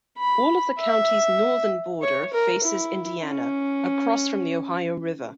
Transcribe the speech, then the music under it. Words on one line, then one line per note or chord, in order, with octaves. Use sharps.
All of the county's northern border faces Indiana, across from the Ohio River.
B5
E5
C#5
A#4
E4
C#4